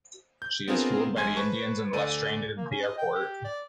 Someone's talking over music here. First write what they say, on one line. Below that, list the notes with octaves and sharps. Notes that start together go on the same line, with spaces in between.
She is fooled by the Indians and left stranded at the airport.
G6
B3 C4 D4 F4 G#4 A#4
A1 G#3 G#5 C6 G#6
B4 C5 A5 C#6
D2 A4 D5 D#7
A#3
C#4
D#5
G5
G4
D5